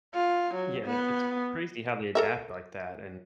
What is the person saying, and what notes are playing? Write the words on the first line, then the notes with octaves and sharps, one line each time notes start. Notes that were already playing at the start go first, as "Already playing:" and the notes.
Yeah, it's crazy how they adapt like that and
F4
F#3
B3
A4 A#4 E5